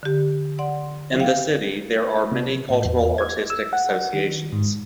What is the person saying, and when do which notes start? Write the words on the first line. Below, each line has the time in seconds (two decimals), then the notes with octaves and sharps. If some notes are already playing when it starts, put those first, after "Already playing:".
In the city there are many Cultural Artistic Associations.
0.03 D3 G4
0.59 D5 F#5 C6
1.20 F5 G5
2.32 C3
2.70 A2
2.85 E2
3.18 G#6
3.50 E6
3.73 F#5
4.13 D#3
4.52 G#2